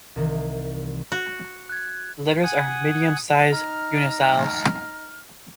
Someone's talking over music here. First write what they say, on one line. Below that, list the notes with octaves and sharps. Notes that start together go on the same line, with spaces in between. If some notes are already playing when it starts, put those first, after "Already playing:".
The letters are medium-sized uncials.
C2 C3 D#3 E3
F#4
F#6 G#6
F#5 G#5 D#6
D#4 A#5 F6